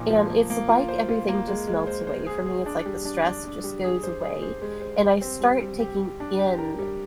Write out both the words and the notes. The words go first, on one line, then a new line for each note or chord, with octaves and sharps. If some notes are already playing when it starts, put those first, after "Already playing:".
And it's like everything just melts away for me. It's like the stress just goes away, and I start taking in
Already playing: A#2 F3 A#3 D#4
F3
A#3
A#3
F4
C5
F4
A#3
G#3
G#3
C5
C5
G#4
G#4
D4
G3
D4
D4
D4
G3
G#4
C5
G#4
C5
G#3
C5
G3
C4
G3
G3
G4
G4
D4
G4
A#4
G3